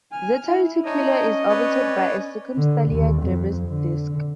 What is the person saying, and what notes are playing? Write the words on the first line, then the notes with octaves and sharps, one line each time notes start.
Zeta Reticuli is orbited by a circumstellar debris disk.
G#5 F6
E4
D4 D#4 C#5 D#5
C#4
B4 C#5 D5
D3
D#2
F2
D3